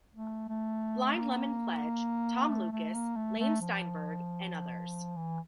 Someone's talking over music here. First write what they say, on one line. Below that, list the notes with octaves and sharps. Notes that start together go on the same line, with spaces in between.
Blind Lemon Pledge, Tom Lucas, Lane Steinberg, and others.
A3
A3
A#3
A3
A3
A#3
A3
A3
F3
E3